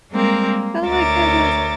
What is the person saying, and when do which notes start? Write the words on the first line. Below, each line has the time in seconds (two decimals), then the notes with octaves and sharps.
Oh my goodness.
0.11 G3 G#3 A#3 C4 A#4
0.48 A#3
0.86 D2 A#4 C#5 E5 D6 A6